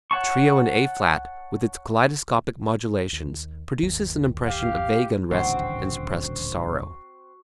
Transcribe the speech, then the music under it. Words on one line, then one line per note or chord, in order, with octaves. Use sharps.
The Trio in A flat, with its kaleidoscopic modulations, produces an impression of vague unrest and suppressed sorrow.
C#5 F#5 A5 C#6
D#2
G1 D#2 D#3
G4 F5
D#1 A1 D2 C4 F#4